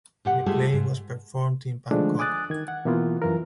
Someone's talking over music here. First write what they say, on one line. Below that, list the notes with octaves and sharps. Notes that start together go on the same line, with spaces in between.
The play was performed in Bangkok.
A#2 G4 F#5
G#3 A3 F4 G4 G#4
G#2
D3 D#3 F3 G#3 A3 D4
G#5 D6 D#6 F#6 A6
D#3 G#6
F#5
B2 E3 A#3 B3 F4
F#2 E3 F4 A#4